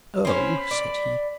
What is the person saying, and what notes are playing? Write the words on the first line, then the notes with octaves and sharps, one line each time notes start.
"Oh!" said he.
C4 C#4 C5 B5
D5